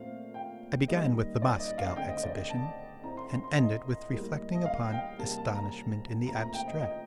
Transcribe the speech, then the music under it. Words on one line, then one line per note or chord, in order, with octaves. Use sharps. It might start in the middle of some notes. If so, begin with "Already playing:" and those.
I began with the Moscow exhibition and ended with reflecting upon astonishment in the abstract.
Already playing: A#2 A3 C4 F5
G5
D#3 G3 A#3 D#5
D5
D#5
F5
D3 A3 C4 G5
D#5
D5
D#5
A5
A2 A3 C4 A#5
C6
C6
C6
D#5
A2 G3 A#3
D#5
F5
G5
C3 G3 A#3 A5
A5
A#5
A#2 A3 C4 A#5
A#5
G5
D#5
D#5